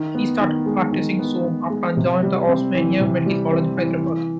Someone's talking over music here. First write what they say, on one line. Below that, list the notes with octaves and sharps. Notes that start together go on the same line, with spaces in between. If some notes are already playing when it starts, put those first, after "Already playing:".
He started practising soon after and joined the "Osmania Medical College," Hyderabad.
Already playing: D#3
B3
D#3
G#3
D#3
B3
D#3
G#3
C3
G3
C4
E3
C3
G3
C4
E3
E3